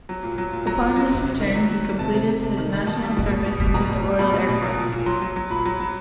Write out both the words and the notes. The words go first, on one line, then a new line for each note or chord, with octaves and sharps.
Upon his return, he completed his National Service with the Royal Air Force.
F#3
A#2
F#3
A#2
F#3 A#5
A#2
F#3
C3
C3
D#3
F#3
F#3
D#3
C3 A5
C3
C3
C3
D#3
D#3
B2 A5
G3
B2
B2
B2
G3
B2 A#5
B2
B2
B2 B5
B2
B2
F#3
A#2
A#2
F#3 C6
F#3
F#3
A#2 B5
F#3
F#3